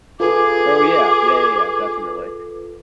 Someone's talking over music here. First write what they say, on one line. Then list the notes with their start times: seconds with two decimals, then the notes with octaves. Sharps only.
Oh, yeah. Yeah, yeah, yeah, definitely.
0.20 F4 G#4 A4 B4 D6